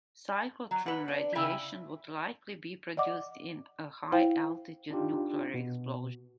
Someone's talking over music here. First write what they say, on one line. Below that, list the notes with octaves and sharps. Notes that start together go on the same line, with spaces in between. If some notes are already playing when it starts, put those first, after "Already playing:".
Cyclotron radiation would likely be produced in a high altitude nuclear explosion.
F#3
B4 F#5
D4
C#3 E4 E5 G5 G#5
D5 D#5 F#5 D6
E4 C5 F5 G5
D4 D#4 F4 G4
B2